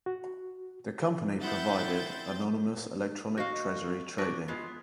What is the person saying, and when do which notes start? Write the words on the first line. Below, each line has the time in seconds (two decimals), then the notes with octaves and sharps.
The company provided anonymous electronic Treasury trading.
0.06 F#4
1.41 C4 E4 F#5 G6 A6
3.38 F#4 D#5 F5
4.18 D4 F#4 B4
4.48 G#3 B3 F4